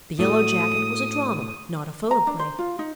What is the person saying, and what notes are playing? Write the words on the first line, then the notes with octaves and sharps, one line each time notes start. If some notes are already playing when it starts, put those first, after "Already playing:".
The Yellow Jacket was a drama, not a photoplay.
A2 A3 F#4 D#6
A#5
D4
C5
F4
D#4